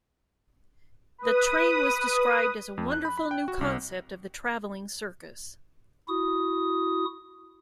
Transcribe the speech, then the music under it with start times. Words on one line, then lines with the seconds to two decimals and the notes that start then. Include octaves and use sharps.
The train was described as a wonderful new concept of the travelling circus!
1.18 B4 D#6
2.78 F2
2.92 F#6
3.05 B5
3.18 B5
3.31 G5
3.48 F#4
3.61 C2
6.08 E4 F#4 D#6